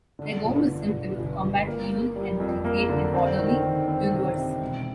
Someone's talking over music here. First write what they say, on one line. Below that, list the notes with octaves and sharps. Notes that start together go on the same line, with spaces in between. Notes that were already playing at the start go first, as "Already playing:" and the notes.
Their goal was simple: combat evil and create an orderly universe.
D3
G1
D3
G1
G1
G1
A#3
A#3
G3
F2
A#3
D3
C4
D#3
D#3
C4
C3
C3
E1